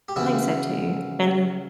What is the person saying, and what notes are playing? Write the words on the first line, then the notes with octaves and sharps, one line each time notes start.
I think so too, and,
G4
C#3 E3 E4 F#4